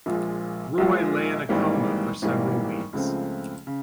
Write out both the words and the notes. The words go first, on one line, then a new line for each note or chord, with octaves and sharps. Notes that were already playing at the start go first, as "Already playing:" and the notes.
Roy lay in a coma for several weeks.
A#1 A#2 F3 G#3
A#1 A#2 F3 G#3
G#1 G#2 E3 G3 A#3
G#1 G#2 E3 G3 A#3
C#2 C#3 F3 A3 C4
C#3